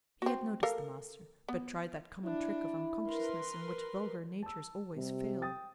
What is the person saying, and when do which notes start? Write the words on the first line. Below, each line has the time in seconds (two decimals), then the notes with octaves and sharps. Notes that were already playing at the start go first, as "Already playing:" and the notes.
He had noticed the master, but tried that common trick of unconsciousness in which vulgar natures always fail.
0.22 C4 F#4
0.63 A4 A#4 F5
1.49 B3
2.25 D4 E4
3.07 A#4 B4 C6
4.43 A5 E6
4.96 C3 G3
5.42 G5 D#6 A6